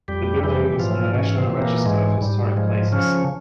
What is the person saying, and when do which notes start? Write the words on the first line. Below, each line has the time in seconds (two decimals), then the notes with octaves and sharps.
The building is on the National Register of Historic Places.
0.08 F2 G3 G4
0.43 E3 G3 G4
0.79 G#2 F3 F4
1.14 C#3 E3 C#4
1.38 C3 C4
1.50 E3
1.62 A#2 A#3
1.78 A#3
1.86 G#2 G#3
2.21 G#2 G3
2.56 F3 G#3
2.92 C#3 F3 C#4